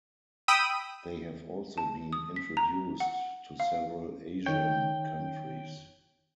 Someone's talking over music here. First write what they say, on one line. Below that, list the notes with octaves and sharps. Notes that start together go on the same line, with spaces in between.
They have also been introduced to several Asian countries.
G5 B5 D#6 E6 B6 D#7
A5
D#6
B6
A#5
F#5
F5
D#3 C#5 G5